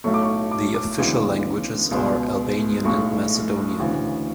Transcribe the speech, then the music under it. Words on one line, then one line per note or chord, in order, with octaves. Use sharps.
The official languages are Albanian and Macedonian.
B1 A2 F#3 A3 C#6
D6
C#6
D6
D6
D2 C#3 E3 G#3 B3
C#2 B2 G#3 B3
B1 A2 G#3 C#6
D2 C#3 E3